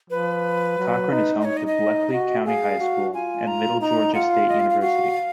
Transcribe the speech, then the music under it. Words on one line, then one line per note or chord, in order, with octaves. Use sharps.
Cochran is home to Bleckley County High School and Middle Georgia State University.
F3 B4
F#3
D#4
D#5
D#4 C#5
D#5
D#5
F#4
G#4 F5
F#4
F4 G#5
A#5
D#4 A#5
F4 F#5
F5
D#5
F5
F5
F#4 F5